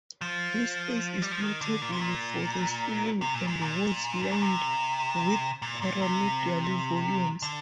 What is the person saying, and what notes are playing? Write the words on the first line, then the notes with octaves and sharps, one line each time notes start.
This space is notable for the ceiling and walls lined with pyramidal volumes.
F3
G3
F3
D#3
D3
A#2
C3
A#2
C3
A#2
G#2
A#2
G#2
A#2
C3
A#2
A#2
C3
D3